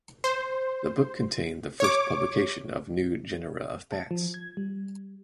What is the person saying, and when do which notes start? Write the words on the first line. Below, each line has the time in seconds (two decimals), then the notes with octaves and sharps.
The book contained the first publication of new genera of bats.
0.24 C5
1.80 C#5 D6
3.92 A5
4.11 F3
4.34 G#6
4.57 G3